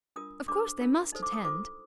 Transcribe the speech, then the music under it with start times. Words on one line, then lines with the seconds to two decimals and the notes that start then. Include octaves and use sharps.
Of course they must attend.
0.16 D4 F4 A#4 D#6
0.48 D4 A4 C5 D6
0.81 D4 F4 A#4
1.12 D#4 A4 C5
1.23 D6
1.33 D#6
1.45 F4 A4 C5 D6